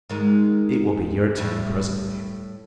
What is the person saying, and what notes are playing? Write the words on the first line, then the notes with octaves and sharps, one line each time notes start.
"It will be your turn presently!"
G#2 D#3 G#3
A2 G3